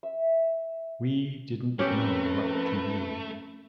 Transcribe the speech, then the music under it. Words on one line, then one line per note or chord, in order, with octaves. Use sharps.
We didn't know what to do.
E5
F3 A3 C4 C#4 G4 A#4 B4